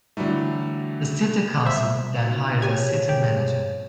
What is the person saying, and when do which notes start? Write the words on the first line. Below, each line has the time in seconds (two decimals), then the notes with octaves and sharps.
The city council then hires a city manager.
0.17 D3 E3 F#3 G3 A3
1.66 F#3 G3 C5 E5
2.20 C3 D#4 F4 F#4
2.62 F3 G4 G#4 C#5 G#5
3.09 G2 G4